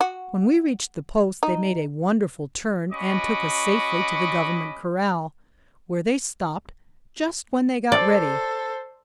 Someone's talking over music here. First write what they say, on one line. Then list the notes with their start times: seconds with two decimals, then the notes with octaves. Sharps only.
When we reached the post they made a wonderful turn and took us safely to the government corral, where they stopped, just when they got ready.
0.01 F#4
1.43 D#4
2.92 C#4 F#4 D#5 B5 C#6 D6
7.92 A4 C5 D5